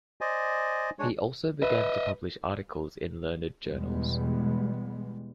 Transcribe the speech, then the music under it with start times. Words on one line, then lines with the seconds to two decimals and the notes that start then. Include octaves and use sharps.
He also began to publish articles in learned journals.
0.21 C5 D5 D#5 G#5
0.99 G#3 D4 C#5
1.62 B4 D#5 E5
3.65 E2 B2 G3 G#3 B3